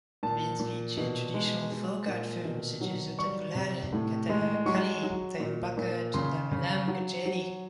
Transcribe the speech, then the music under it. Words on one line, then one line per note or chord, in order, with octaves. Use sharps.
Events feature traditional folk art forms such as Ottanthullal, Kathakali, Thayambaka, Chenda melam, Kacheri.
A#2 A5
A#2
B2
G#3
G#3
A#2
B2
F#3
G3 C#6
C3
A2
G#3
F#3 C#6
F#3
A#2
A#2
C#3 C6
C#3
F#3
F#3